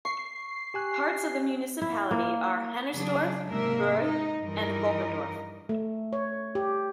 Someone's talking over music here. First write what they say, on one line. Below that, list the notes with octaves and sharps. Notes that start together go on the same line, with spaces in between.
Parts of the municipality are Hannersdorf, Burg, and Woppendorf.
C#6 C7
G4 G#5 F#6
E4
A#3
C#3 F#3 D4 G#4
G#2 C3 A#3 A#4 E5
D#4
G2 E3 D#4 A#4 D#5
A3
C#5
G4